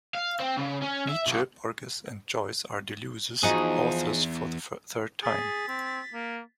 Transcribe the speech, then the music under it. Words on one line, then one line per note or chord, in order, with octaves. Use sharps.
Nietzsche, Borges, and Joyce are Deleuze's authors for the third time.
F5
C4
C#3
C#4
E5
B1
E2 F3 D#4 F#4 G#4
G#4 A6 B6
C4
A#3